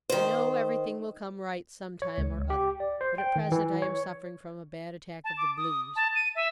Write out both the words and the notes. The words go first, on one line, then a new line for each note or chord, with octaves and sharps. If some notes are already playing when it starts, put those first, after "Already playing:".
I know everything will come right some time or other, but at present I am suffering from a bad attack of the blues.
D#3 C5
C#5
C#2
G4
D5
C5
G5
D#3
E3
C#5
A5
D6
D#6
A5
D#7
E5